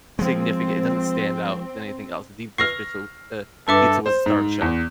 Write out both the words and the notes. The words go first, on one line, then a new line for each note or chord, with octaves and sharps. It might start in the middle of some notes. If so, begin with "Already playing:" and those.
significant it doesn't stand out anything else. The deep dish pizza, w eh, pizza was the star of the show.
F3 G#3 C4
C#6 F6 A#6 C7
G2 A4 B4 E5 D6
C5
G#2
E2